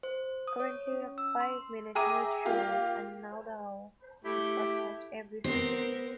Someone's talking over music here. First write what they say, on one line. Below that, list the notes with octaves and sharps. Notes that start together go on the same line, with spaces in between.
Currently a five-minute news show, An Nowodhow, is broadcast every Sunday.
C5
D#6
C#5
C#4
E6
C6
G#4 E5 G5 A#5 D6 D#7
A#3 F4 G4
A3 E4 G4
B3 C4 A#4 C5